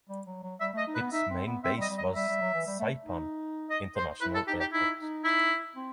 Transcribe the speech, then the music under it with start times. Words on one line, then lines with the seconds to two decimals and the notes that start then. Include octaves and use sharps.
Its main base was Saipan International Airport.
0.09 G3
0.26 F#3
0.43 F#3
0.61 G3 E5
0.74 A3
0.78 D#5
0.87 D#4
0.95 B4
1.00 B3
1.12 D#4 E5
1.30 C4
1.47 B3
1.64 C4 E5
1.77 G3
1.82 D#5
1.90 G3
1.98 D#5
2.03 F#3
2.15 G3 E5
2.28 G3
2.41 F#3
2.54 E3
2.67 G3
2.80 A3
3.05 D#4
3.70 D#5
3.96 C5
4.21 E4 B4
4.35 A4
4.47 D#4 G4
4.60 G4
4.73 D#4 E4
4.99 D#4
5.25 E4
5.76 C4